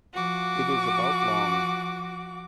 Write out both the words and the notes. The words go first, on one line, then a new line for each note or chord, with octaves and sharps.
It is about long.
F3 F#4 D6